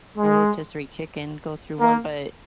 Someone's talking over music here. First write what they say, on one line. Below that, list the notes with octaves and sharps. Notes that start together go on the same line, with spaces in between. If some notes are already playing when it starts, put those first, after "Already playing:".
A rotisserie chicken go through one, but
G#3
A#3